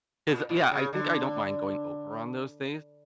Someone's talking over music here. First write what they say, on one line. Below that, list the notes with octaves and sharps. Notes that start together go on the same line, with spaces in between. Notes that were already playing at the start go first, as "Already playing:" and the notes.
'cause, yeah, I think I don't mind going over on those days.
A#2
A#2
C#3
D3